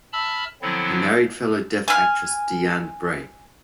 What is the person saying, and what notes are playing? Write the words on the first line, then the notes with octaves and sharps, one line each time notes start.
He married fellow deaf actress Deanne Bray.
E5 A5 B5 E6 F6
D3 F3 F#3 B3 C4 E4
G#5 F6